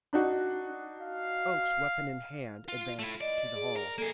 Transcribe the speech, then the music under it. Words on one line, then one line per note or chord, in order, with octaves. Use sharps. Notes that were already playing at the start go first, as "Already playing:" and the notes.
Oakes, weapon in hand, advanced to the hall.
D4 D#4 F#4
F5
F4
A3 E4
D5 D#5
G#4
A#4
A#3 G#4 A4